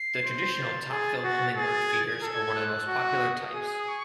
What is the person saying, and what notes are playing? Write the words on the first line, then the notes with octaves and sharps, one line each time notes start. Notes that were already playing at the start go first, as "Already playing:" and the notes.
The traditional top-fill hummingbird feeders are one of the most popular types.
Already playing: C7
C5
C7
A6
G#4
F#4
G#4
G#6
A6
G#6
A4
F#6
F#4
E6
D#6
G#4
C#6